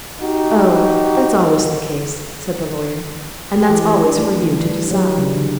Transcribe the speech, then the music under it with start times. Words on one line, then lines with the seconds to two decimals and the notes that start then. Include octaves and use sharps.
"Oh, that's always the case," said the lawyer, "and that's always for you to decide."
0.21 D#4 F#4 G4
3.57 G4
3.69 E3
4.05 D4
4.19 A3
4.42 E3
4.64 G3
4.91 F#3
5.18 C#3
5.35 D3